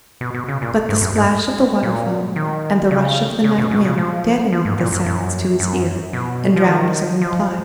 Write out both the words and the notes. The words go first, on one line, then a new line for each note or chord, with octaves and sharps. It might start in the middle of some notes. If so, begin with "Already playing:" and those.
But the splash of the waterfall, and the rush of the night wind deadened the sounds to his ear, and drowned his own reply.
B2
B2
C#3
A#2
G#2
F#2
G#2
A#2
D#3
C#3
C#3
B2
B2
C#3
F3
F3
G#2
A#2
F#2
F#2
F#2
B2
F3
D#3
F3